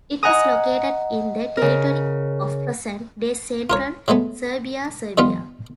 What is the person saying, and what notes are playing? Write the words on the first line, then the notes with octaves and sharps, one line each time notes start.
It was located in the territory of present-day Central Serbia, Serbia.
D#5 F#5 G#5 A#5 D#6
C#3 A#4
F4 A#4 C#5
F#3 G#3 A3 B3
D#3 G3 B3 F4